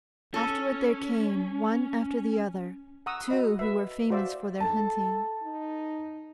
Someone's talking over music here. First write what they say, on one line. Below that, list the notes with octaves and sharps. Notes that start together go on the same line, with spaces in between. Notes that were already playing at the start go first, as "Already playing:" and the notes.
Afterward there came, one after the other, two who were famous for their hunting.
C#4 A4
F#5 A#5 C#6 D#6 E6
F#4 D#5 B5
B4 E5
F#4 C5 D5 E5 F5 E6
A4 A5
D#4